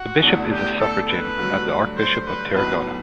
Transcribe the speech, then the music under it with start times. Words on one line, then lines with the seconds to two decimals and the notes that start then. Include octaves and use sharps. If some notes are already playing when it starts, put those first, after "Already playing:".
The bishop is a suffragan of the Archbishop of Tarragona.
Already playing: F#4
0.22 E2 D3 A3 D4
0.51 G4
0.79 A4
1.08 B4
1.38 G2 D3 F#3 A3
1.96 C5
2.26 B4
2.54 B1 A2 F#3 B3 B4